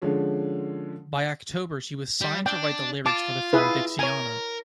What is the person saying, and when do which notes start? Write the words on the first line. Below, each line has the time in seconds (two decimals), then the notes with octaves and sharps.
By October she was signed to write the lyrics for the film "Dixiana".
0.02 D3 F3 G#3 C#4
2.21 G3
2.46 D4 G5
3.06 F4 A5 D6
3.53 E4 G#4 B4
3.99 A#4 C#5 G#5